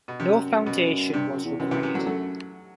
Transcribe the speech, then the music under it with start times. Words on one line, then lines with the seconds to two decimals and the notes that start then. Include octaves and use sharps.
No foundation was required.
0.08 B2
0.20 F#2 C3
0.66 B2
1.14 G2 C3
1.29 F#2
1.45 E2
1.59 F#2 C3 E3
1.71 C3 E3
1.83 C3 E3
1.95 D3 F#3
2.06 F#3 A3